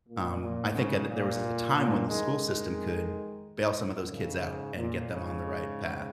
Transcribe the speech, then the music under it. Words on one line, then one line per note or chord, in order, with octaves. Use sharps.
um, I think a there was a time when the school system could bail some of those kids out, and get them on the right path,
A#2
A#2
G#2 C#3
A#2
A#2
D#3 G#3
G#2 C#3
A#2
G#2 C#3